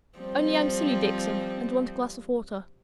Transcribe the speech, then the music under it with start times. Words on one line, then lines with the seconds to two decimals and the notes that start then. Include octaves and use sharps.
Only I'm silly, Dixon, and want a glass of water.
0.19 F3 G3 C4